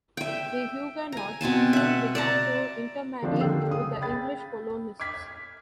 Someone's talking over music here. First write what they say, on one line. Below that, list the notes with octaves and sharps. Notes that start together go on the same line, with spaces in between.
The Huguenots soon began to intermarry with the English colonists.
E5 G5
G#5 A#5
B2 C4 G#5 A5
E5 F#5
D5 A5 A#5
D3 D#3 F3 C4 D4
D3 A#3 G5 E6 C7
C#3 D#6
G5 B5 A6
D6 F6 G#6 B6
G#6